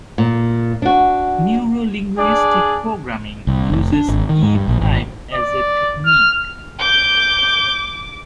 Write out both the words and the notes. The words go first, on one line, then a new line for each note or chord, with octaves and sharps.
Neuro-linguistic programming uses E-Prime as a technique.
A#2
D4 F#4
D4 G#4 D5
C2
F1
D4
G#1
D#3
G#2
G2
A#1
G#1
D5
F6
D6 G6